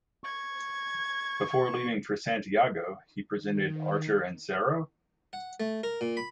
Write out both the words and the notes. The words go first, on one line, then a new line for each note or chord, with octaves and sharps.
Before leaving for Santiago, he presented Acher en serio?
C#6 G#6
D#3
F#5
A3
A#4
A#2
B5